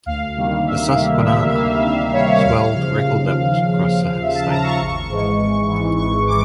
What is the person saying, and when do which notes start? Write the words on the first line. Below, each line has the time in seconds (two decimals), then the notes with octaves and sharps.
The Susquehanna swelled to record levels across the state.
0.06 D2 F5
0.36 C3 D#3 G3 A#3
0.66 D2 E5
0.95 C3 D#3 G3 A#3
1.25 D2 E5
1.54 C3 D#3 G3 A#3 F5
1.83 D2 E5
2.13 C3 D#3 G3 A#3 C#5
2.43 D#2 F5
2.73 C#3 F3
3.03 D#2
3.31 C#3 F3
3.62 D#2
3.91 C#3 F3
4.09 F5
4.20 D#2 E5
4.35 A5
4.49 C#3 F3 A#5
4.64 C#6
4.80 G#1
5.09 G#2 E3 G#3
5.38 G#1
5.68 G#2 E3 G#3
5.97 G#1 C#6
6.27 E3 D6